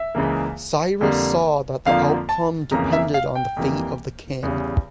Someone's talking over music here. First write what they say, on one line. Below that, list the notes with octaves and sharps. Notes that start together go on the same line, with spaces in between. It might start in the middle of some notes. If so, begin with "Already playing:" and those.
Cyrus saw that the outcome depended on the fate of the king.
Already playing: E5
C#2 C#3 E3 A#3
F2 D3 G3 A#3
F2 D3 F3 A#3 F5
A5
F2 C#3 E3 A#3 A#5
E5
F5
G5
F2 E3 G3 A#3
E2 C#3 G3